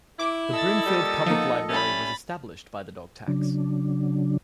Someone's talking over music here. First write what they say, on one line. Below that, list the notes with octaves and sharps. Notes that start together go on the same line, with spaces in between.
The Brimfield Public Library was established by the dog tax.
E4 D6
A4 D#5 E6 A6
A#2 G3
F3 A#3 B3 D#4
G3 A3 C#4 B5 A6
C#3 F#3 D4